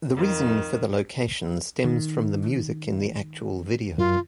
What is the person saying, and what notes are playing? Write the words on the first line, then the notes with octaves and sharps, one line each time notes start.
The reason for the location stems from the music in the actual video.
F2 D#3
D#3
F#2 F4